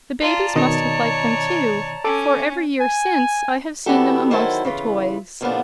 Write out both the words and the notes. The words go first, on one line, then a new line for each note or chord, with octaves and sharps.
The babies must have liked them, too, for every year since I have seen them amongst the toys.
F4 D5 A5 A#5
B2 D#3 C#5 D#5
C#4 A4 D6
G#5
E3 B3 D4 F#4 G4 A4
E2 D#3 F#3 E4 C5 A5
C#3 E3 F4
E2 A#2 C#3 F3 B3 D4